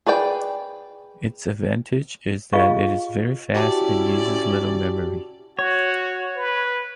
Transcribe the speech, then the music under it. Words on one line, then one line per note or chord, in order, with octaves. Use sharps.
Its advantage is that it is very fast and uses little memory.
G#4 B4 D5 G5
F4 G4 G#4 D#5 F5 C#6
C#4 E4 F#4 G4 D5 A5
F#4 C#5
B4